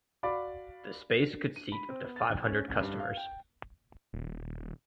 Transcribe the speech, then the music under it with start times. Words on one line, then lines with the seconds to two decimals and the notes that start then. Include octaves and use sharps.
The space could seat up to five hundred customers.
0.23 F#4 D5 F5 B5 D6
1.56 D#7
1.72 B5
1.89 C4
2.04 B3
2.16 A6
2.30 A#1
2.45 C#4
2.68 A1
2.80 G2
3.00 F5
3.17 G5
4.13 D#1